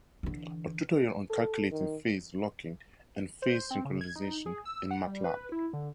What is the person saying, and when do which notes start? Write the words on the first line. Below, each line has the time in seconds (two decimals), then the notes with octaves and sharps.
A tutorial on calculating Phase locking and Phase synchronization in Matlab.
0.23 D3 E3
1.30 A4
1.71 D#3
3.42 C5
3.71 C4
3.85 C#3
4.01 G#6
4.16 D#4
4.46 G#4
4.65 E6
4.91 F#5
5.07 G3
5.24 B4
5.52 E4
5.73 D3